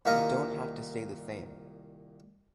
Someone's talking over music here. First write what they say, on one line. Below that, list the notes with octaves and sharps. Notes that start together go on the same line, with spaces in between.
We don’t have to stay the same.
C2 A#2 D#3 A#3 F4 D#5